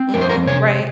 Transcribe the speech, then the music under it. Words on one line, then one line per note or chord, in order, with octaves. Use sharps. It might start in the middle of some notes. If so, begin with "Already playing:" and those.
Mhm. Right.
Already playing: C4
F2 A#4
C5
A#4
C3 C#5